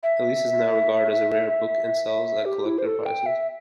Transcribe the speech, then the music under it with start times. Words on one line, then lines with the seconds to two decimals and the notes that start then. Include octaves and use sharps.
"Elise" is now regarded as a rare book and sells at collector prices.
0.03 E5
2.45 G4
2.66 E4
2.78 C5
2.86 A4
3.05 G5
3.26 E5